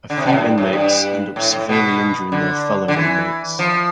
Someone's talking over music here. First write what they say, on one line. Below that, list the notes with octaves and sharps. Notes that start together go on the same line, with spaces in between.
A few inmates end up severely injuring their fellow inmates.
D3
C3
B2
A2
G2
A2
G2
A2
A2
B2
D3
D3
E3
F3